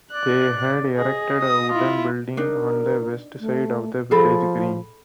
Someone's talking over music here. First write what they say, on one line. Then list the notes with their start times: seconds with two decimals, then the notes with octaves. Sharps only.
They had erected a wooden building on the west side of the village green.
0.13 D5 F#6
0.97 G#4 D#5
1.42 D#6
1.72 E4 F4
2.37 D4 D#4 A#4
3.40 A3
4.11 F3 G#4 A4 B5